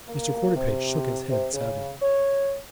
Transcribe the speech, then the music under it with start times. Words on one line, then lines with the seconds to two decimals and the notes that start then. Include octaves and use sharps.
Mr. Quarterpage shook his head sadly.
0.07 A#3
0.56 C3
1.29 C3
1.53 C#3
2.01 C#5